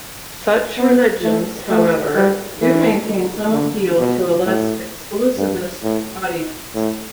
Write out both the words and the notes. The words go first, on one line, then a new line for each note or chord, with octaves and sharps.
Such religions, however, do maintain some appeal to a less exclusivist audience.
B3
A3
A3
G3
E3
D3
B2
A2
G2
A2
A2